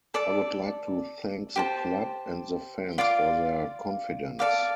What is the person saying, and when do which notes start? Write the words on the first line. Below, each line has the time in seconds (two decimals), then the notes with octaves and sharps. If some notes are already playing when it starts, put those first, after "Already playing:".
I would like to thank the club and the fans for their confidence.
0.14 A4 D5 A5 D6
1.56 G4 C5 A5
2.98 F4 D5 F5 D6
4.39 A4 D5 F5 D6